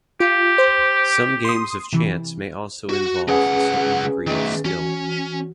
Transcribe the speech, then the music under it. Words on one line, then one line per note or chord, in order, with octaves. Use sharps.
Some games of chance may also involve a certain degree of skill.
F4 G4
C5
C6 D#6
C3 E3
F#4
C#2 C#4 G#4 B4 F#5
D#3 A3
E3 C#4 F#4